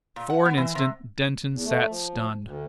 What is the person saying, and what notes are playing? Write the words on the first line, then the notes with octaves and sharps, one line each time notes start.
For an instant Denton sat stunned.
A#2
F#5
B3
E3
C3
E2
A3
F3
D2